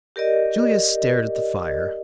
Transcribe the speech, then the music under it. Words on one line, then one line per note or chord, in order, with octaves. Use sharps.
Julius stared at the fire.
G4 A#4 D5 D#5